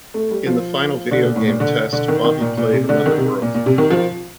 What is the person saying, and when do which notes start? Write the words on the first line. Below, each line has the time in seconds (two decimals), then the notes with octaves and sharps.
In the final video game test, Bobby played "Another World".
0.14 A3
0.31 G3
0.47 F3
1.11 D3
1.24 A#2
1.36 A2
1.48 A#2
1.60 D3
1.93 D3
2.08 D#3
2.24 D#3
2.41 A#2
2.57 A#2
2.73 C3
2.89 D3
3.06 D#3
3.18 C3
3.42 A#2
3.55 A#2
3.66 C3
3.78 D#3
3.91 F3